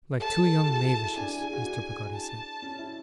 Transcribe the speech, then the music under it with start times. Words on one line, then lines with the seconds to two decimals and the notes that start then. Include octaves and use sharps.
'Like two young mavishes,' Mr. Peggotty said.
0.20 A4 A5
0.44 A4
0.62 G#4
0.68 F#4
0.84 E4
1.01 E4
1.16 D4 G#5
1.29 E4
1.41 G#4
1.53 F#4
1.66 D4
2.14 A5
2.62 C#4
2.79 E4